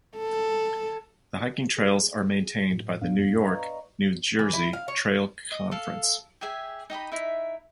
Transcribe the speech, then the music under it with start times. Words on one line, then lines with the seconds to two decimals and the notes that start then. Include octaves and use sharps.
The hiking trails are maintained by the New York - New Jersey Trail Conference.
0.17 A4
1.77 G#4
2.70 A2 F#3
3.01 G1 F#2 A#2 B3 D4 F5
3.41 B4 D5 D#5 F5 A#5 C#6
4.39 E3
4.53 E4
4.73 F5
4.88 C#5
5.52 D#5
5.71 A4 F5
6.41 G4 G#4 E5 G#5
6.90 D#4 G4 D#5 B5
7.12 D#4 E4 E5